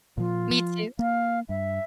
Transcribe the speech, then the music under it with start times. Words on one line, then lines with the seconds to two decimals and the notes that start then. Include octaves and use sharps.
Me too.
0.18 A#2 F3 F4
0.50 F3
0.99 A#3 F5
1.49 G2 E5